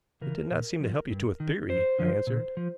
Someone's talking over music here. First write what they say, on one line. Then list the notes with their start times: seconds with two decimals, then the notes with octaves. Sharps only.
"It did not seem to help you to a theory," I answered.
0.21 C#3 E3 A#4
0.51 A#2
0.80 F3
1.10 G2
1.40 D#3
1.69 F2 C5
1.99 D3 F3
2.27 A#2
2.57 F3